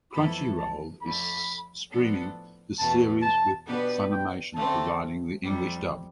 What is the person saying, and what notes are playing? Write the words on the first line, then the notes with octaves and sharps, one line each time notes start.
Crunchyroll is streaming the series with Funimation providing the English dub.
F2 E3 B3 E4 A4 B5
A5
F2 D3 A3 B5
A2 F3 B3 D4 A4
E2 B2 A3 A5
A5
B2 B3 D4 G4 B4
G5
D3 A3 C4 A5
F2 C3 G3